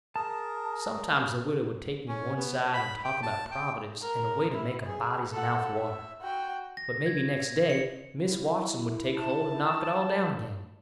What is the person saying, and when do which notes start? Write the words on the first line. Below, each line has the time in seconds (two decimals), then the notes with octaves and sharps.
Sometimes the widow would take me one side and talk about Providence in a way to make a body's mouth water; but maybe next day Miss Watson would take hold and knock it all down again.
0.16 G#4 A#4 A5
2.08 C#4
2.37 B3
2.73 B5
3.04 G5
3.23 A5
3.51 G5
4.01 A#4
4.54 E4
4.85 G#4
5.33 A4 F#5
5.76 E5
6.21 F#4 G5
6.77 A#6
7.06 G#6
7.70 C#7
8.17 E4
9.16 A5